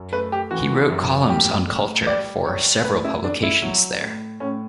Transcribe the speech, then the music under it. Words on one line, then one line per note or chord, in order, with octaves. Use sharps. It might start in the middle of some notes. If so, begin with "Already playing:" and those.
He wrote columns on culture for several publications there.
Already playing: F#2
A3 B4
G4
E3 F#4
F#2
A2 G4
A2
G3 D5
G3 C#5
A2 B4
E4
A3 D4
E4
F#3
A2
A2 C#4